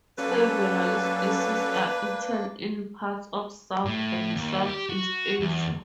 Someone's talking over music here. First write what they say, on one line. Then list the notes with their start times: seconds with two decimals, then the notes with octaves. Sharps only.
Several species are eaten in parts of South and Southeast Asia.
0.18 F#3 A#3 C#4 D4 A4 B4
3.85 A2
4.35 D#2
4.67 G4
4.89 F#4
5.40 E2